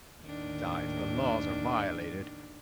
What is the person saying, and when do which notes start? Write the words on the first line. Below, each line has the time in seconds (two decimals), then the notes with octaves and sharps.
Besides, the laws are violated.
0.23 D#2 A2 D#3 D4